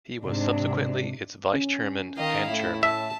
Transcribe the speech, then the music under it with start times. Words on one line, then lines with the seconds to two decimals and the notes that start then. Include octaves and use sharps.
He was subsequently its Vice-Chairman and Chairman.
0.23 G#2 C3 D4
1.54 C#4
2.17 D#3 D#5 F5
2.47 A2 E4
2.83 E5 A5